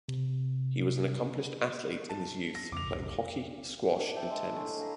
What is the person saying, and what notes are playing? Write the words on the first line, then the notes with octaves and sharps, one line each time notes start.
He was an accomplished athlete in his youth, playing hockey, squash and tennis.
C3
A5
A#6
F2 C#3 D6 F7
F1 B1
D4
E5 G5 A5
G#3
A2 D3 G#4 C6
F5 A#5 B5